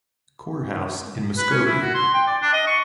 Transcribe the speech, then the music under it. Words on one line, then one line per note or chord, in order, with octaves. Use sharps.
Courthouse in Muskogee.
B4
C#4
E4
F#4
C6
G5
D5
D4
D#5
C#6